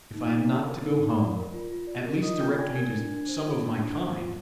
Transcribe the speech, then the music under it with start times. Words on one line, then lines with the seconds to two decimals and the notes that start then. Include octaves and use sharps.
"If I am not to go home, at least direct me to some of my kind."
0.13 D#4
0.30 D#4
0.48 D5
0.66 A#4
0.83 D#4
1.00 D#4
1.18 D5
1.36 A#4
1.52 F4
1.70 F4
1.87 D5
2.05 A#4
2.22 F4 D#5 D#6
2.40 F4 G5 G6
2.57 D5 G#5 G#6
2.75 A#4 G#5 G#6
2.93 D4
3.10 D4
3.28 C5
3.44 F4
3.62 D4
3.80 D4
3.97 C5
4.15 F4